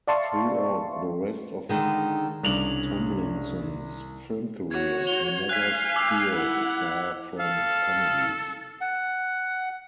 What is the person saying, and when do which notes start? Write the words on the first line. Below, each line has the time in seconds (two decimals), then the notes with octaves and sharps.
Throughout the rest of Tomlinson's film career, he never steered far from comedies.
0.08 D5 E5 F5 A5 C6 C#6
1.69 D3 D#3 G#3
2.43 C2 C#3 D4 F7 F#7
4.71 F#4 C#5 G#6
5.07 F7 G7
5.49 F5 G#5 F#6 B6
5.96 D6 E6
6.34 E4 F#5
7.39 A4 F5
8.81 F#5